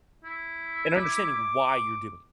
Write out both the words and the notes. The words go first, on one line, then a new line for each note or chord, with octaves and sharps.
and understanding why you're doing it.
E4
D6